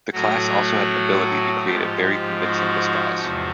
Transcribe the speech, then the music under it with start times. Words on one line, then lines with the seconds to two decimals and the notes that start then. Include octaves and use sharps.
The class also had an ability to create a very convincing disguise.
0.12 A2 F#3 F#4
1.65 G#2 F3 G4
2.41 F#4
3.18 E2 C3 F3